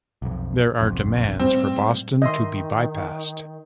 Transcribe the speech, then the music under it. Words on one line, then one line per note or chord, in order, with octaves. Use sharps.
There are demands for Boston to be bypassed.
B1 F2
F#1 B1 F2
A2 G3 C4
D#3 D#5 E5 C6